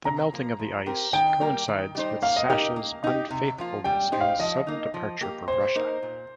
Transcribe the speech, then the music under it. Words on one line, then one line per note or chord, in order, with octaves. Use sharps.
The melting of the ice coincides with Sasha's unfaithfulness and sudden departure for Russia.
C3 A#5
F3 A#3
F3
C4 G4 A#4
D#3 G5
G3 A#3 G4 A#4
D#3
G3 D#4 C5
A#3 F5
D#5
D#4 G4 A#4 D#5
A#3
D#4 G4
C3
F3 A#3 F4
G3 G5
D#4 G4 C5
F5
F3 D#5
A#3 D#4
F3
A#3 G4
A#2 C5
A#3 D#4 A#4
A#2